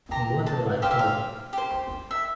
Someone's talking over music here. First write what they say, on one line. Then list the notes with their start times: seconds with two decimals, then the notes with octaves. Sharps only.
What'll I call them?
0.11 G4 C5 A#5
0.46 A5
0.82 G4 C5 F5
0.91 E5
0.99 F5
1.53 G4 C5
2.11 E5